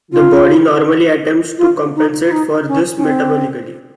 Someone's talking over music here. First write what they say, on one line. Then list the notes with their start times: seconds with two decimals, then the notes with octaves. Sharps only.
The body normally attempts to compensate for this metabolically.
0.12 F4
1.58 F4
1.95 D#4
2.26 F4
2.31 D#4
2.68 C#4
2.96 C#4
3.04 C4